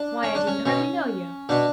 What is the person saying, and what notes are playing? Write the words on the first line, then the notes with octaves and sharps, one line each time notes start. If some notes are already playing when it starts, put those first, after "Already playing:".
"Why, I didn't hardly know you!"
Already playing: D4
C#4
D4
C#4
B2 C#4
B2 D4